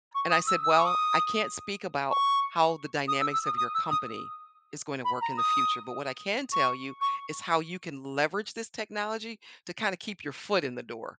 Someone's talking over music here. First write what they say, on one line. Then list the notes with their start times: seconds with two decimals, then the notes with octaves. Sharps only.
and I said, "Well, I can't speak about how the dynamics of your company is going to work in the future, but what I can tell you is how you can leverage this technology to kinda keep your foot in the door,"
0.15 C#6
0.30 D#6
0.47 E6
0.64 E6
0.71 D#6
0.79 C#6
0.86 D#6
2.10 C#6
3.08 D#6
3.21 E6
3.33 E6
3.46 D#6
3.57 D#6
3.75 E6
3.91 D#6
5.05 B5
5.22 A#5
5.38 D#6
6.52 C#6
7.01 C#6